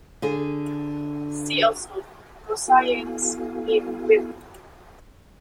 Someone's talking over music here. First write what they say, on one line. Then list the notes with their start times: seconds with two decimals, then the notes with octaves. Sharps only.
See also: Gaussian beam width.
0.22 D3 G#4
2.68 B3 E4 F#4 A4 F5 G#5